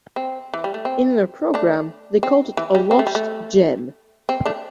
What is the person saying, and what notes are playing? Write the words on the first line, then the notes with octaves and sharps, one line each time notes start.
In their program they called it a lost gem.
C4
E3
G3
A3
C4
A3 D4
C4
E3
G3
C4
A3
G3
A3
C4
A3 D4